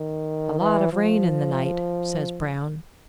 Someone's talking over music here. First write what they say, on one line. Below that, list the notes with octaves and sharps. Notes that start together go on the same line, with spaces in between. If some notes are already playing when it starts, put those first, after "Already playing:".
"A lot of rain in the night," says Brown.
Already playing: D#3
E3
F3